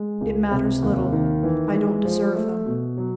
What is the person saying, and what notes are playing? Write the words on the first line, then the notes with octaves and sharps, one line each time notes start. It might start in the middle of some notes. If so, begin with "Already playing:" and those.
It matters little; I don't deserve them.
Already playing: G#3
C#2
C3
D#2
D#3
E3
G#3
F3
A3
B2
F#3